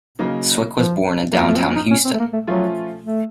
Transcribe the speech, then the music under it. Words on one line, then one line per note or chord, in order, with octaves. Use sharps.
Swick was born in downtown Houston.
C#3 F#3 A#3 D#4
F3
F#2 F3 F#3 A#3
A3
C4
C#4
D#4
C#4
C4
A3
A#3
A3
F3 F#3 A3 C#4 F4
A3